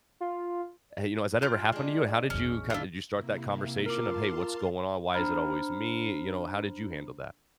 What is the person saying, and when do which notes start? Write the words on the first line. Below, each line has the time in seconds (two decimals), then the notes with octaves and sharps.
Hey, you know, has that ever happened to you? And how did you kind did you start that conversation of, "Hey, what's going on? Why is it always me?" You know, how did you handle that?
0.21 F4
1.42 F4 G4
1.72 G#3 D4
2.30 A1 E2 C#4
2.70 D3 E4 F4 A4
3.09 C3 A#3 E4
3.86 F4 A#4 F5 A5 A#5 C6 D6
5.14 D4 C5 A#5 B5 F6